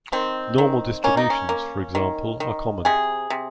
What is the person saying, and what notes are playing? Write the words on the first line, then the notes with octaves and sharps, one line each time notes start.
Normal distributions, for example, are common.
D#3 C4
D#3
A#3 C#4
D#4
C#4
A#3
D#3
D#3
C3 G#4
C3